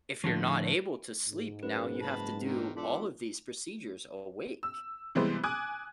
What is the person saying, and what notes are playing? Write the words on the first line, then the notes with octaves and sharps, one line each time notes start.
if you're not able to sleep, now you have to do all of these procedures awake.
A2 D3 F3 F#3
G#2
F#2 B4
F#1 A5 B5
E1 D3 D#3
F4 A4 D5
E6
C3 E3 G3 G#3 B3 C5
G#5 D6 D#6 F#6 G#6